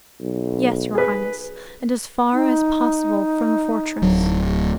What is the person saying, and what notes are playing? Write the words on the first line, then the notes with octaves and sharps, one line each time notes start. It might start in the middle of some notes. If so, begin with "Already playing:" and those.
"Yes, your highness, and as far as possible from the fortress."
B1
G#4 B4
D#4
D1 F#3